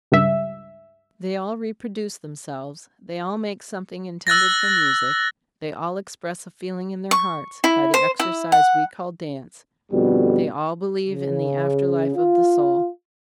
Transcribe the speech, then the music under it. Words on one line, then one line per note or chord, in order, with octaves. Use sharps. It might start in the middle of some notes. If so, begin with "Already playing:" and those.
They all reproduce themselves, they all make something intended for music, they all express a feeling in their hearts by the exercise we call dance, they all believe in the after life of the soul.
C#2 G2 E5
E6 F#6 A6 A#6
C#6
E4
C5
E4
F#5
F2 B2 D3 G3
C#3
F4